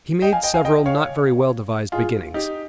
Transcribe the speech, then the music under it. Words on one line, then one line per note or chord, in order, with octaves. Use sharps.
He made several not very well-devised beginnings.
D#5 G5
F5 G#5
D#5 G5
F5 G#5
D#5 G5
C#5 F5
F4 G#4
D#4 G4